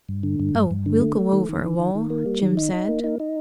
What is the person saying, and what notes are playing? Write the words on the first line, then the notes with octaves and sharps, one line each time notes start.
"Oh, we'll go over, Wal," Jim said.
G2
D3
G2
G2
G2
D3
A3
A3
D#3
D#3
D#3
D#3
D#3
A#3
G3
D#3
D#4
D#4
A#3
D#4
D#4